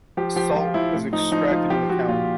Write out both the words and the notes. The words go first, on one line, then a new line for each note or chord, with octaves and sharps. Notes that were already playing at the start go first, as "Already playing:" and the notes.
Salt is also extracted in the county.
F3 G4
F3 G4
F3 F4
F3 E4
A2
F3 D#4
F3 D#4
F3 F4
F3 G4
F3 F#4
A#2 F4